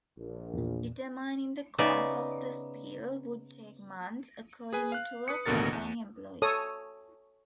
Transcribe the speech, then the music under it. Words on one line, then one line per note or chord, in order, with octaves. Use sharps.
Determining the cause of the spill would take months, according to a company employee.
A#1
E2 A#2
C#3 B3 D#4 D5 E5
G#4 B4 G#5
F5 F#6
B4 D#6 C#7
A1 D#2 B2 D3 A#4 A6
E2
A4 C#5 D#6